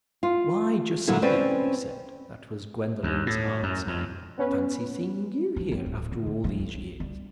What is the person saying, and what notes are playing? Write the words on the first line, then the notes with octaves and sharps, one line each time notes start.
"Why, Josina," he said--that was Gwendolen's aunt's name--"fancy seeing you here after all these years!"
F4
A#2 D3 F#3 A#3 E4
C4 C#4 B4 C5 D5
D#2
A2
F#2
F2
B3 C#4 B4
F3
C4
D1
D3
G#3
F3
F#3
C2
G3